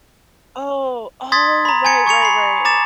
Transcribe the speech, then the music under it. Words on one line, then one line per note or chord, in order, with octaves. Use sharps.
Oh. Oh, right, right, right.
C6 D#6 G#6 A6 B6
A#5 B5
G#5 A#5 G#6 C#7
C#6 G#6 C#7 F7
B5 C7
A#5 D6 A6 E7